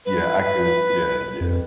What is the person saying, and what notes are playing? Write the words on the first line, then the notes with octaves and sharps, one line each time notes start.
Yeah, I could yeah, yeah.
B4
F2